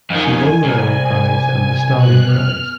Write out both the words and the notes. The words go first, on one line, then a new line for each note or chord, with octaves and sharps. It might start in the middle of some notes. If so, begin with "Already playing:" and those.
She won the Lenin Prize and the Stalin Prize.
F2 D#3 G#5
C2
B2 F#6
F6